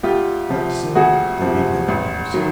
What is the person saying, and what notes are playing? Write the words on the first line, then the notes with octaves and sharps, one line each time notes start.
But soon they began to boast.
D2 F4 G4
C3 F3
D2 F#4 G#4
C3 F3
A1
D#3 F#3